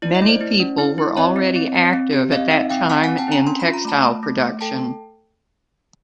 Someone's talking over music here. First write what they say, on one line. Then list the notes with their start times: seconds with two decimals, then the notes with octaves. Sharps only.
Many people were already active at that time in textile production.
0.02 E4 D5
0.15 D#5
0.22 A3
0.29 C5 D5
0.41 E4
0.60 C#4
0.78 E4
0.98 E4
1.17 C4 C#5 D#5
1.36 C4
1.56 C4
1.75 C4
1.93 C4
2.13 G4
2.31 C4 D#5 F5
2.51 D#4 E5 F#5
2.70 C4 F5 G5
2.89 C4 F#5 G#5
3.04 C4 F#5 G#5
3.18 G5 A5
3.28 C4 G#5 A#5
3.47 C#4 C6
3.60 B5
3.66 F4
3.73 A#5
3.85 A3 A5 B5
4.03 A3
4.23 A3
4.42 A3
4.61 A4 G5 A5